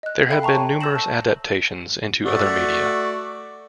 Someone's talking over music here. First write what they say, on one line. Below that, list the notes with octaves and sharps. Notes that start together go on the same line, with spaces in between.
There have been numerous adaptations into other media.
D#5 F#6
A4 E5 F5 G5 B5
G5 A5 A#5 C#6
C#5 G5
E6 G6 A#6 E7 F#7
A5
A3 F#4 D5